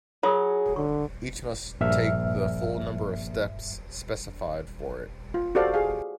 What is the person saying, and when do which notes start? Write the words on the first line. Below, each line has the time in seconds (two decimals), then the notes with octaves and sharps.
Each must take the full number of steps specified for it.
0.23 F#3 F4 G#4 A#4 D#6
0.76 D3 C#6
1.81 A#1 G2 E5 F6
5.34 F4
5.55 F#4 G4 A4 C5 D5 F5
5.74 G#4 F5